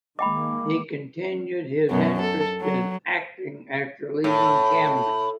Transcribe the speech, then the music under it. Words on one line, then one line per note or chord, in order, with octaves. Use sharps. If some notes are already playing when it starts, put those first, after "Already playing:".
He continued his interest in acting after leaving Cambridge.
D#3 G#3 A#3 D#5 G5 B5 D6
F#2 B2
A4
F#3
A2